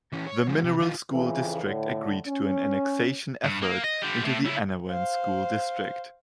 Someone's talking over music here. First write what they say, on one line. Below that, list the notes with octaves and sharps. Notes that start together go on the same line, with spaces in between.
The Mineral School District agreed to an annexation effort into the Annawan School District.
E3 C#4
C#5
F3 G#3
C3
D#3 F4
F2 C#3 E3
A2 D3
C#4
G2
A#3
D#5
D3 G3
A2
C#3 E4
C5 F5